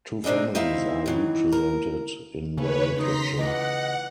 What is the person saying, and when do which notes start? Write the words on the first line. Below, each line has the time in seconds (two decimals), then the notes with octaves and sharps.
Two families are represented in the literature.
0.24 C3 C4 D4 D#4 G#4
0.55 C4 D#4 E4 E5 F5
1.06 D#3 E3 F#3
1.52 A#4
2.57 C#3 A3 B3 C#4 B4 C#5
2.96 D#3 F#3 D#4 A#5 C6 B6
3.38 E3 F4 D#5 F#5 D6